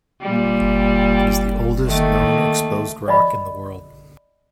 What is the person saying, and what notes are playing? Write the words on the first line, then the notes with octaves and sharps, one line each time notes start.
It is the oldest known exposed rock in the world.
A#2 G3
D#3 A3 A#3
D5 D#5 B5